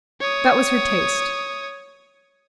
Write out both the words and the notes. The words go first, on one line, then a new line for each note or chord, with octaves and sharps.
That was her taste.
C#5 D#6